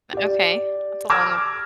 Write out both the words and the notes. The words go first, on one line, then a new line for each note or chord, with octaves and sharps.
Eh okay, that's a long
G4 D5
D6 E6 F6 G#6 A#6 E7